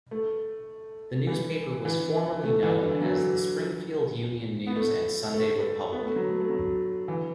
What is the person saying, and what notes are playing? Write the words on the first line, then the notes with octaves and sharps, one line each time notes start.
The newspaper was formerly known as "The Springfield Union News and Sunday Republican".
A3
E3
E3
A3
E3
D3
F#3
B3
A3
A3
B3
A3
F#3
A3
A3
F#3
E3